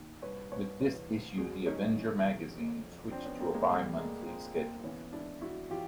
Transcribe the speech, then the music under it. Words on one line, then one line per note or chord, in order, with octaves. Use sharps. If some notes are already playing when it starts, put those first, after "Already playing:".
With this issue, The Avenger magazine switched to a bi-monthly schedule.
Already playing: D#2 D#3
C2 B4 C#5
C2 B4 C#5
E3 B4 C#5
C3
C2 F#4 G#4
C2 C#4 D#4
E3
C3
F2
F2
F3 C4 D4
B3 C#4
D3 A#3 C4
G#3 A#3
C2 G3 A3
C2 G#3 A#3
F3 A#3 C4
A#2 A#3 C4
E3 B3 C#4
G#2 D4 E4
G#2 E4 F#4
E3 F4 G4